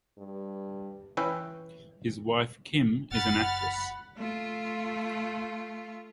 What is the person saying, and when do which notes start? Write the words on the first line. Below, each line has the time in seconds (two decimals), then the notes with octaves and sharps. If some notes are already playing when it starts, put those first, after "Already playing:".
His wife, Kim, is an actress.
0.18 G2
1.17 E3 C#4 B4 E5 G5
3.11 F#1 F#5 B5 F6 A6
4.17 A3 F4